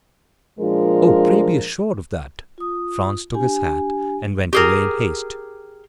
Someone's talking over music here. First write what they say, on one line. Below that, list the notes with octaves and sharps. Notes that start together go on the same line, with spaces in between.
"Oh, pray be assured of that." Franz took his hat and went away in haste.
A#2 F3 G#3 D4 F4 A#4
F4 D#6
D4 G4 G#5
G4 G#4 A#4